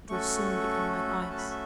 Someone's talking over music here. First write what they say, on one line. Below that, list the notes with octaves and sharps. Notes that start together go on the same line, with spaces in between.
It will soon become like ice.
A3 C#4 F#4 A4 C#6
B5
A5
B5
E5